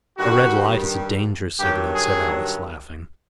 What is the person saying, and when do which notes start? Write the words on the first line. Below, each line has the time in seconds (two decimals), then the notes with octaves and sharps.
"A red light is a danger signal," said Alice, laughing.
0.17 G2 D#3 G3 F#4
1.59 G2 D#3 F#3 G4
1.95 G#4